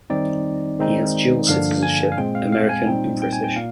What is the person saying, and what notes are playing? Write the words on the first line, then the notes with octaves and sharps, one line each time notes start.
He has dual citizenship, American and British.
D#3 G3 C4 D#4 D5
D#3 G#3 C4 D#4
G2 D3 F3 A#3 D4 F5
G#5
F5
A#2 G#3 C4 G5
F5
F5
G#5
A#2 G3 C4 D#4 G5
G5
G#5
G5
A#2 F5